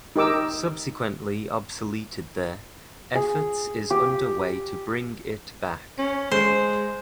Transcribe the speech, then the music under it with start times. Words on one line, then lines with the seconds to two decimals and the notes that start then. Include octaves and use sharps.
Subsequently obsoleted there, efforts is under way to bring it back.
0.16 D#4 G4 A#4 D6 E6
3.15 G#4
3.90 G4
5.98 C#4
6.32 G#3 C5